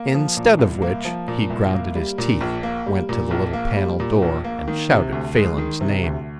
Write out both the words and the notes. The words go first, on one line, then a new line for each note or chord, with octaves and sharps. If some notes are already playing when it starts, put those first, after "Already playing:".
Instead of which--he ground his teeth, went to the little panel door and shouted Phelan's name.
Already playing: A#3
F3
A#2
C2
A#3
F3
A#2
C2
A#3
G3
A#2
A#1
A#3
G3
A#2
A#1
A#3
G3
A#2
A#1
A#3
D#3
C3
D2
G#3
D#3
C3
D2